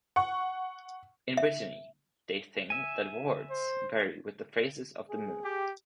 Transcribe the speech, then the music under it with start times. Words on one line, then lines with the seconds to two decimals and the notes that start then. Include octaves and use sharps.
In Brittany they think that warts vary with the phases of the moon.
0.16 F#5 C#6
1.37 E5
2.70 E5 G#5
3.50 C5
5.09 G#4
5.44 G4